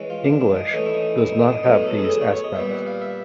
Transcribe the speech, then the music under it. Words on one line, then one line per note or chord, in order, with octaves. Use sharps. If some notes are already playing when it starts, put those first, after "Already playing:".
English does not have these aspects.
Already playing: E3 G#3 C#4
F4
D4
D4
D#4
E3 A3 C#4 D#4
E4
D#4
E4
D#4
D4
D#4
A2 F#3 B3 D#4
D#4
A4
G#4
A4
G#4
C#5
C#5
D#5
A#2 G3 B3 E5
F#5
F5
E5